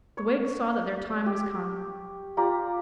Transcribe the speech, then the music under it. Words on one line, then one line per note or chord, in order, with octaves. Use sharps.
The Whigs saw that their time was come.
C#5
G4
F4 G4 D5 A#5